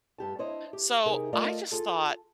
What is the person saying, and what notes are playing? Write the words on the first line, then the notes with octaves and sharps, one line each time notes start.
so I just thought
G2 G4 A5
D4 E4 C5 C#5 D#5
G4
C3 D#4 G4 G#4 A#4
A3 F4 A#4 D5 D#5 F5
F4 G#4 A4